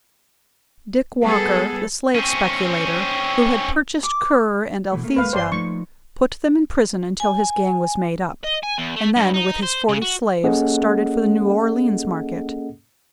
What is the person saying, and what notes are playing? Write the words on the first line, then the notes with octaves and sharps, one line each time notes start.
DICK WALKER, the slave speculator, who had purchased Currer and Althesa, put them in prison until his gang was made up, and then, with his forty slaves, started for the New Orleans market.
G3 B3 G#4 A4
C4 C#4
D6
B2 E3 A3
A3 A#3
C#2 G#3 B4 F5
G1 C5 D5 G5 C6
F3 A3 A#3 D#4 C#6
G#5
D#5
G#5
E2
A3
G2
D#4
C5
C#3
F#4
A#3 C#4 G#4 A4 D#5 F#5